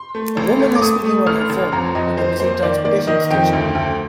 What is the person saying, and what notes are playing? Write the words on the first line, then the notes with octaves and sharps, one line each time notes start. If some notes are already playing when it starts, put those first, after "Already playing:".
A woman is speaking on her phone at a busy transportation station.
Already playing: C6
A3
A1
A3
D6
A3 D#6
A3
A1 F6
A1
F2 A#5
F2 D#5
F2 C5
A#3 C5
D#3 D5
A#3 D5
D#3 D#5
F2 G5
D2
D2